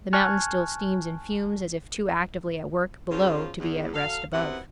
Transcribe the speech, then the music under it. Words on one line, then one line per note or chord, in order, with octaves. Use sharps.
The mountain still steams and fumes, as if too actively at work below to be at rest above.
G#5 A5 C#6 F6 F#6 G#6
E2 C#3 F3 F#3 F4
E2
F#3 A4 F5
F#2 C3 B3 E4 F#5